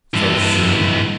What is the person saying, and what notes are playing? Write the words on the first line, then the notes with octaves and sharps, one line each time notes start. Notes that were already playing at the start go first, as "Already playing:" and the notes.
"So soon?"
G2 E3